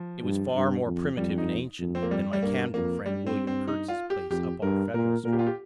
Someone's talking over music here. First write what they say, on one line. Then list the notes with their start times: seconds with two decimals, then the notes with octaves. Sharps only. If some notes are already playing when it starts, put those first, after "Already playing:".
It was far more primitive and ancient than my Camden friend William Kurtz's place up on Federal street.
Already playing: F3
0.24 G2
0.55 G2
0.85 F2
1.17 F2 G3
1.38 D#4
1.79 F2
1.95 C4
2.03 A#3
2.11 G3
2.33 G3
2.43 G2 A#3
2.74 F2 A#3
3.05 G2 G3
3.26 C4
3.47 C4
3.67 D#4
3.88 F4
4.10 G4
4.30 F2 G4
4.62 G2 A#4
4.94 A#2 A#4
5.25 A#2 A#4
5.32 G4
5.39 F4
5.47 G4